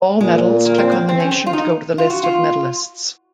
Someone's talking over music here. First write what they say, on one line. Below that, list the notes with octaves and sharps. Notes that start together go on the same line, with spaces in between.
All medals, click on the nation to go to the list of medallists.
A#2 G#3
A#3
C4
A#3
C4
C#4
C4
F4
D#4
F4
F#4
F4